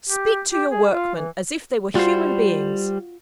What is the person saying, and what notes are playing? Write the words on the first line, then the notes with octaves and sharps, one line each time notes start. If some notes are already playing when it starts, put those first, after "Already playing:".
Speak to your workmen as if they were human beings.
G4
G4
G#4
F4
E3
G3 F4 F#4 C5